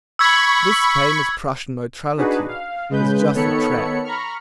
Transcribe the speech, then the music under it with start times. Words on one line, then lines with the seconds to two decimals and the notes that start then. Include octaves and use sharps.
This famous Prussian neutrality is just a trap.
0.19 B5 C#6 E6 G#6
2.17 D4 D#4 F#4 G#4 B4
2.48 F5
2.89 C#3 G#3 B4 G6
3.34 D#3 B3 A4 C#5 B5 C#7
4.04 A#5 B5 C#6 F6